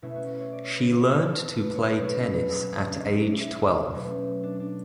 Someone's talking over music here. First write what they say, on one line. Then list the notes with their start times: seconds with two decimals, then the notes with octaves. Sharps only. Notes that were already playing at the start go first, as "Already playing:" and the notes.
She learned to play tennis at age twelve.
0.02 B2 A3 C#4 E4
0.15 F#4
0.27 E4
0.40 C#5
0.52 D5
0.64 C#5
0.76 B4
1.01 C#5
1.25 A4
1.50 B4
1.74 C#5
1.87 C#5
1.98 B2 F#3 C#4 B4
2.11 B4
2.23 B4
2.35 A4
2.47 G#4
2.59 F#4
2.72 C#4
2.84 D4
2.97 D4
3.08 C#4
3.21 D4
3.33 E4
3.94 B2 F#3 A3 C#4
4.43 D4
4.60 D4